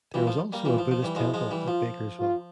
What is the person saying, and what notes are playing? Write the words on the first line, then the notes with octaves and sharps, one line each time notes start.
There is also a Buddhist temple, at Bakersville.
E3 G3 F4
F3
G3 A#3
E3 G3 F4
F3
F3
E3 G3
F3 G#3 E4
F3 G#3
E3 G3
F3 F4
F4